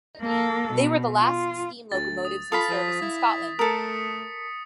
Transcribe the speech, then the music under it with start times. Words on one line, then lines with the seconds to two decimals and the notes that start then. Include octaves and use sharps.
They were the last steam locomotives in service in Scotland.
0.22 A#3 A4
0.73 B2
1.17 F4
1.92 D2 A6
2.25 D#6
2.52 F4 A4 F5 B5 D#6 B6
2.69 F3
3.02 E4
3.59 A3 A4 A#4 D#6 C#7